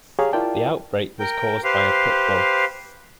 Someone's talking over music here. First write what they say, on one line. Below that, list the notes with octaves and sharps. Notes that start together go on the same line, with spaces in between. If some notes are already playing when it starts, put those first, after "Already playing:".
The outbreak was caused by a pit bull.
G4 G#4 C#5 F5 A#5
E4 F4 A#4 D5 G5 A5
A#4 G5
G4 B4 C5 F5